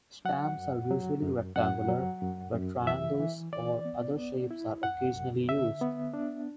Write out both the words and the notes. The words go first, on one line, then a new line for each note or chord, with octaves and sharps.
Stamps are usually rectangular, but triangles or other shapes are occasionally used.
F#3 F#5
F#2
F#3
F#2
F#2 F#5
F#3
F#2
F#2
E3 E5
E3
E3 D5
B3
B3
E4
F#2 F#5
F#2
D3 E5
B3
D4